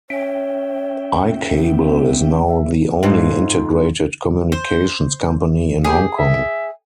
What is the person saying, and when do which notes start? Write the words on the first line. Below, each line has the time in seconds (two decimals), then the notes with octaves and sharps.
I-Cable is now the only integrated communications company in Hong Kong.
0.10 C#4 C#5 E5 G5
1.56 B3
2.48 E5
3.03 F2 G#2
4.52 C5
5.84 G4 G#4
6.16 E5